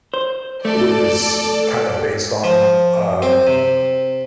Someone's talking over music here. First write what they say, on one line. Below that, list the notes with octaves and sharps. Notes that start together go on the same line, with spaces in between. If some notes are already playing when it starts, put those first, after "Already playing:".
is kind of based on, um,
C5
A3 A4 D5
F3
C4
C3